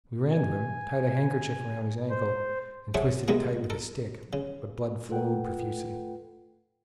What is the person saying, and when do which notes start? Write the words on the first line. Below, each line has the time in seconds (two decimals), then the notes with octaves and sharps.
We ran to him, tied a handkerchief round his ankle, and twisted it tight with a stick; but blood flowed profusely.
0.32 G#5
2.10 C5
2.94 G#4 A4 C5 C#5 E5 F#5
3.28 C3 G#3 A#3 B3 G#4
3.70 A4 A#4
4.33 C#3
5.09 A3 F4 A4 B4 F#5 G5